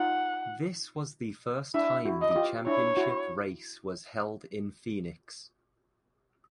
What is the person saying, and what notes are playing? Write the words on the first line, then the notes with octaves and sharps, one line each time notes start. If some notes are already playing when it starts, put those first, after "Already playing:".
This was the first time the championship race was held in Phoenix.
Already playing: D#4 F4 F#5
D4 E4 E5
E4 F#4
D#5
F4 G4
D4 E4 C#5
E4 F#4